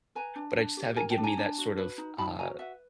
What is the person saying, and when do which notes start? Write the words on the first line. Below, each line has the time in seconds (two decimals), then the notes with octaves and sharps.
But I just have it give me that sort of, uh,
0.15 B4 G#5 A#5
0.36 D4
0.57 D4
0.77 G4
0.96 A#4 G#5 A#5
1.10 G5 A5
1.18 D4
1.23 G#5 A#5
1.38 D4
1.58 F#4
1.78 B4
1.98 D#4
2.18 D#4 A5 B5
2.39 F#4 G#5 A#5
2.59 B4 E5 F#5